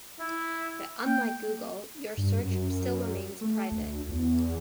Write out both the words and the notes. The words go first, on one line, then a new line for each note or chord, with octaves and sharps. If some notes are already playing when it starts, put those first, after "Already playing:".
But unlike Google, your search still remains private.
E4
A#3 G5
G2
F#2
A3
D2
E2